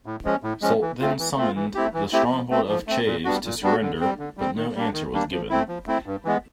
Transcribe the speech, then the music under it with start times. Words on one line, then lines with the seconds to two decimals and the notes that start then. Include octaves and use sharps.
Soult then summoned the stronghold of Chaves to surrender, but no answer was given.
0.06 A2
0.24 F3 G#3 C#4
0.43 A2
0.62 F3 G#3 C#4
0.82 E3
1.01 A3 C4 F4
1.19 E3
1.37 A3 C4 F4
1.56 E3
1.75 A3 C4 E4 G4
1.94 E3
2.13 A3 C4 E4 G4
2.31 F3
2.51 A3 C4
2.68 F3
2.87 A3 C4
3.06 A#2
3.25 G3 B3 D4 F#4
3.44 A#2
3.63 G3 B3 D4 F#4
3.82 D3
4.00 G3 C4
4.19 D3
4.37 G3 C4
4.57 D#3
4.75 G3 A#3 D4
4.93 D#3
5.13 G3 A#3 D4
5.32 F3
5.50 A3 C4 E4
5.68 F3
5.87 A3 C4 E4
6.06 G2
6.25 E3 G#3 B3